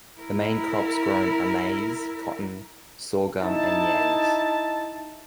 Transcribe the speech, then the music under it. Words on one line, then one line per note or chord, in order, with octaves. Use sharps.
The main crops grown are maize, cotton, sorghum, and yams.
E4 A#4
D#4 E4 A5